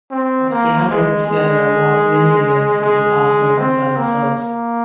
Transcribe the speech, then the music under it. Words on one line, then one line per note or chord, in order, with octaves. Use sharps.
Prophecy and miracles together are more convincing than simply past miracles by themselves.
C4
A#3
G#3
G#3
G#3
C4
A#3
A#3